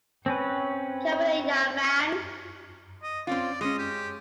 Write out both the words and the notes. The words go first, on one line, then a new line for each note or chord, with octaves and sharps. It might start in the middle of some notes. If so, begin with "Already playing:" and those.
Come on in, young man.
C4 C#4 B4
D#5
C4 C#4 F4 D5
G#3 C#4 D#5
G4